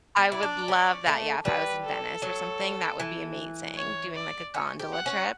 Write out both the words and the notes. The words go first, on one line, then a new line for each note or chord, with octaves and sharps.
I would love that, yeah, if I was in Venice or something, that would be amazing, doing, like, a gondola trip.
B3
E4 D5
D4
C#4
A3
G3 B4
A4
F#3
E3
C#5
D5
C#4
G4
F#5
C#4